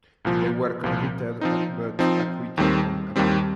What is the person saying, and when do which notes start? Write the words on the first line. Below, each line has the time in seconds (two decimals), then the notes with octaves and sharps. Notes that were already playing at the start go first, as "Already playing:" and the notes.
They were convicted, but acquitted on appeal.
0.25 C2 A#2 F3
0.84 C2 A#2 F3
1.41 F3 C4 D#4
1.99 F3 C4 D#4
2.57 D#2 D#3 G3 C4
3.16 D#2 D#3 G3 C4